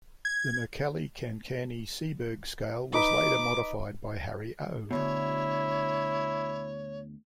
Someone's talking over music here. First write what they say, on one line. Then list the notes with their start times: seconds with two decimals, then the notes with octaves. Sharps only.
The Mercalli-Cancani-Sieberg scale was later modified by Harry O.
0.25 G#6
2.94 D#4 B4 D6
4.91 D2 G#2 B2 E4 C#5